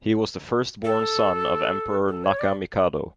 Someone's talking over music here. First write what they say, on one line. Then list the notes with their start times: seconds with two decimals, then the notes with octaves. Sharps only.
He was the firstborn son of Emperor Nakamikado.
0.84 A4
2.08 A4
2.24 C#5
2.39 D5